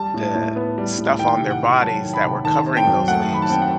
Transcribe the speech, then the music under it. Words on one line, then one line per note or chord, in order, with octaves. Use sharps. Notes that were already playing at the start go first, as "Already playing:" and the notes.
the stuff on their bodies that were covering those leaves,
Already playing: G3 A5
A2
A2
B3
G3
A2
D#3 G5
C3
F#5
C3
F#3 A5
D#3
B5
C3
D#3 A5
C4
G5
F#2
A3 F#5
D#3 B5
A5
C4 G5
F#5